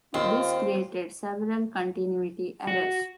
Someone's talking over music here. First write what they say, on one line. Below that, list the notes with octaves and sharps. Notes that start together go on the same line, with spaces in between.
This created several continuity errors.
D#2 C4 F4
F#4